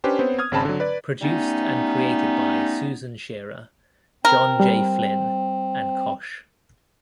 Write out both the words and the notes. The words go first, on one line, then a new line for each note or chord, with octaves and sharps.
Produced and created by Susan Shearer, John J. Flynn and Kosh.
C#4 D4 G4 B4 C5
B3 C4 C5 C#5
D#6 F6 G#6
G#1 C#3 C4 A5 B5
D3 F#3
B4 D5
G3 A3 B3 C#4 D#4
C4 A#4
G3